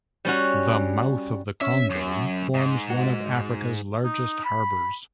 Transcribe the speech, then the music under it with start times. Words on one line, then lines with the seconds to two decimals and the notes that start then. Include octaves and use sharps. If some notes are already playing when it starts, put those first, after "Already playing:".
The mouth of the Congo forms one of Africa's largest harbours.
0.25 G3 C#4 F#4
1.61 C#4 E5
1.90 F#2
2.54 G#2
2.90 F#4
4.04 D#4
4.45 B5